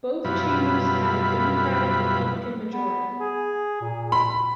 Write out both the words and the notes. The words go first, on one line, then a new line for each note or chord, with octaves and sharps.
Both chambers had a Democratic-Republican majority.
F#2 B2 G3 E4 F4 B5
B3
G#4
A#2
B5